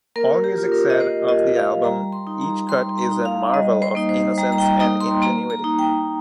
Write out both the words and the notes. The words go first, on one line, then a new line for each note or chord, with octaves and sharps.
Allmusic said of the album each cut is a marvel of innocence and ingenuity.
A#3 A#4
G4
F4
A#4
D#5
A#3 C5
D#5
F4
F5
G3 A#5
C6
D#4
A#5
G3 C6
A#5
D#4
F5
G3 D#5
C5
A#3 D#4
C5
G3 A#5
A#5
G5
A#3 D#4 A#5
C6
A#3 A#5
A#5
D#4
G5